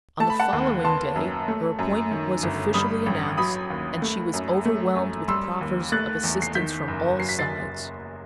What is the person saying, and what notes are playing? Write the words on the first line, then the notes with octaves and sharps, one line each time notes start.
On the following day her appointment was officially announced, and she was overwhelmed with proffers of assistance from all sides.
A3 A5
B5
F#5 A5
D#2
B3 A5 C6
F#2
A3
F#2
D#3
G1
G3 B5 D#6
A1
F#3 B5 D#6
D#2
A3
F#2
A3
F#2
G3 C6 E6
D#2
A3 F#6 A6
E2
C7
D#3 G6 B6
F#1
F#3 C7
B6
A6 C7